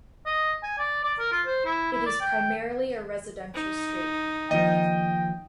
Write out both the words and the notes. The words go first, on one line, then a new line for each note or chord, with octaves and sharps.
It is primarily a residential street.
D#5
G#5
D5
D5
A#4
F4
C5
E4
E4
D5
G5
D#4
D#2 F3 D#5 G5